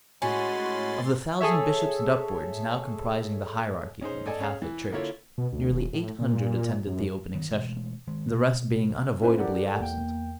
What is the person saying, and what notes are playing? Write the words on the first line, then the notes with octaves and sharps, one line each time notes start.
Of the thousand Bishops and upwards now comprising the hierarchy of the Catholic Church, nearly eight hundred attended the opening session, the rest being unavoidably absent.
A2 G#3 C#4 F#4 G#5 B5 C6 A6
G#4 A4 C#5 E5
C#4 D#4 G#4 C5
A4 D5 D#5 G#5 A5
C#4 G#4 F5
E3
D3 A#3 E4 F4 C#5
B2
D2
D#1
A2
A#2
F#2
D#3 B3
B2 E3 G#3 A3
D#3 G#3
B2
C#4 E4 F4 B4 C5
G4 A4 A#4 D5 F#5
E2 A#3 G5